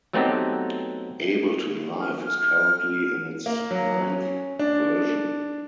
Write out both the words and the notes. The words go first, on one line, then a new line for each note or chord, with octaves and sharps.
Ableton Live is currently in its ninth version.
F#3 A3 B3 C4 D#4 G4
F6
A#3
F#3
C#4
D4